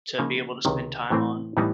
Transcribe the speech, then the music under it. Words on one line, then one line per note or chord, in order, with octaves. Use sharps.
to be able to spend time on.
C#3 F3 A#3 D#4
C#2 C3 D#3
A2 E3 A3 C4
A2 E3 G3 B3 D#4